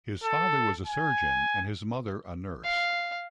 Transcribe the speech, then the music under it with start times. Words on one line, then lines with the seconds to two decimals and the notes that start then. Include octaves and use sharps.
His father was a surgeon and his mother a nurse.
0.24 A4
0.87 G#5
2.64 F5